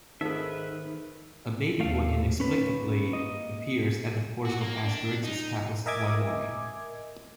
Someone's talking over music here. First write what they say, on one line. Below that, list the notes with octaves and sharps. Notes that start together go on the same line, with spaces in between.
A baby boy inexplicably appears at the porch of Asterix's house one morning.
G#2 D#3 D#4 A4 B4 E5
D#2 A3 F5
A#3 C#4 B4
D#5
F#4
A#3
D4
D#4
A#4 D#5 E5 G#5 D6 G#6